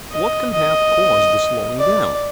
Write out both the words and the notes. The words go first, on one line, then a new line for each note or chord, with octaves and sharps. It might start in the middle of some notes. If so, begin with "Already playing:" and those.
What can have caused the slowing down?
D#5
D#5
D5